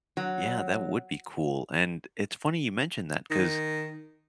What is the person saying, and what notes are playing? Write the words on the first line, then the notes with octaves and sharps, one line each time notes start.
Yeah, that would be cool. And, it's funny you mentioned that, 'cause,
F#3
D#3